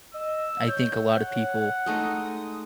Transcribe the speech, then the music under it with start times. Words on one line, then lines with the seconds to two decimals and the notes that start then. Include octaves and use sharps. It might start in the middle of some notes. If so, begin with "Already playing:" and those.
I think a lot of people
0.14 D#5 E6
0.68 C#5 G6
1.01 F#5
1.86 G#3 A3 D#4 D#6